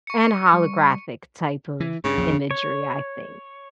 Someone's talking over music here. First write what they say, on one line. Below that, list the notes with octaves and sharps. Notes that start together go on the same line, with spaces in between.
and holographic type of imagery, I think.
C#6 C#7
G3
E3
G2 C#3
A#1 F2 A#2
C#5